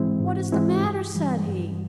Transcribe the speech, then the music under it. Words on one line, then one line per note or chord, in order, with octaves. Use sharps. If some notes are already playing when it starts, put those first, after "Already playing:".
"What is the matter?" said he.
Already playing: G#2 E3 G#3 C4 E4
G#2
E3 G#3 C4 E4
G2
E3 G3
G2